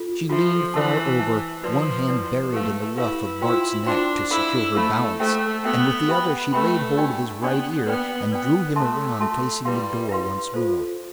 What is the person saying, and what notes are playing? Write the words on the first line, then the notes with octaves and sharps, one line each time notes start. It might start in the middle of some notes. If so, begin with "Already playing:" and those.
She leaned far over, one hand buried in the ruff of Bart's neck to secure her balance, and with the other she laid hold of his right ear and drew him around facing the door once more.
Already playing: F4 A4
F3 F4 A4 E5
E3 C5 E5 A5
C5 E5 A5
F3 E4 B4 D5
E4 B4 D5
A3 G4 B4 F5
E4 G4 B4 F5
E4 F4 C5 G5 C6
D4 F4 C5 G5 C6
E4 A4 C5 F5 B5
A3 A4 C5 F5 B5
A3 A4 C5 E5 G5
B3 A4 C5 E5 G5
G4 B4 E5 G5 B5
A3 G4 B4 E5 G5 B5
D4 G4 D5 G5
B3 D4 G4 D5 G5
B3 B4 D5 G5
B3 B4 D5 G5
A3 A4 E5 A5 C6
A4 E5 A5 C6
G3 E4 B4 F5 C6
E4 B4 F5 C6
F4 A4 C5